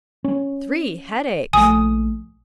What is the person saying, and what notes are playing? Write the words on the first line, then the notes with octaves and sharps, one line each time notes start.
"Three headaches!"
C#4
A#1 A3 G#5 D#6